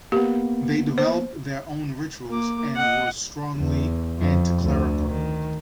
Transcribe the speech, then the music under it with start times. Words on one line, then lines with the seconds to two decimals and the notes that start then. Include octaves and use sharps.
They developed their own rituals, and were strongly anticlerical.
0.12 A#3 B3 G4
0.98 C5
2.30 A#3 D6
2.76 D#5 F#5
3.57 E2
4.19 F2
4.61 D2 D3
5.08 D#3